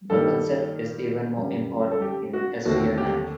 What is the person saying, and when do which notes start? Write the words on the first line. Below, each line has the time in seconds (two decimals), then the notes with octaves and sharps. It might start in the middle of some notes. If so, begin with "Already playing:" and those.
The concept is even more important in espionage.
0.10 G2 D#3 G3 A#3 A4
1.37 F#2 D3 G3 C4
1.92 A4
2.02 G4
2.33 F#4
2.65 D#2 D3 A3 C4 F#4
2.98 G4